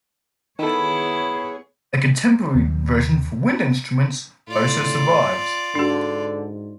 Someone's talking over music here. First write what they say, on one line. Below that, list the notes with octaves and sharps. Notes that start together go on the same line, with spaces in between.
A contemporary version for wind instruments also survives.
D#3 B3 E4 G#4 A4 C#5
D#2
A2 F4 D5
G#2 D3 D4 F#4